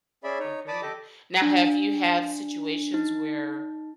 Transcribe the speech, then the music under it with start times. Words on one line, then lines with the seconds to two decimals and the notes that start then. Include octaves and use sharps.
agree. Now, have you had situations where
0.24 C#4 G#4 D5 E5 B5
0.40 D#4 C#5
0.68 D5 A5 B5 D6 D#6
0.82 G4 A4 D#5 D6
1.42 D4
2.94 D#4